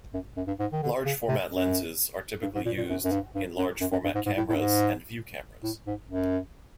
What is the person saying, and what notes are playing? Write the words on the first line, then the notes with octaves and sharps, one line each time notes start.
Large format lenses are typically used in large format cameras and view cameras.
F#2
F#2
G2
G#2
D#3
D3
C#3
C3
F#2
G2
G#2
A#2
A#2
F#2
F#2
G2
G2
F#2
F#2
F#2
G2
G#2
G#2
A2
A2
G2
G#2
A2
G#2
F#2